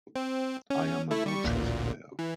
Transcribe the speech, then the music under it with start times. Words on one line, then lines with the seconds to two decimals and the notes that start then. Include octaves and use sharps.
I am a good chess player.
0.16 C4
0.70 C#4
1.11 A3 E4
1.26 G3 C#6
1.44 A1 D2 A#2
2.19 E3